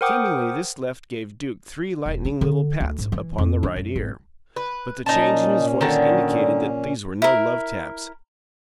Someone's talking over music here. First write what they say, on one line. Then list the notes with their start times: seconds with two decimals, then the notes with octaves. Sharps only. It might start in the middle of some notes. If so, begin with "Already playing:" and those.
Seemingly this left gave Duke three lightning little pats upon the right ear; but the change in his voice indicated that these were no love-taps.
0.01 A#4 C5 F#5 G5 D6 D#6
2.06 E1
2.25 D4
2.41 D3
2.80 D2
2.99 G#2
3.12 E3
3.38 F2
3.63 D4
3.76 F#2
3.96 G#1
4.56 B4
5.06 A#2 C#4 D#4 A5
5.81 D3 D#3
7.22 E4 A#4